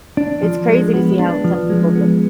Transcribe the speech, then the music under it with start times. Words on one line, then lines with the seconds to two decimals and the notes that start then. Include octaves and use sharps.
It's crazy to see how some people built
0.17 D4
0.43 F3
0.68 G#3
0.94 B3
1.19 D4
1.44 F3
1.70 G#3
1.95 B3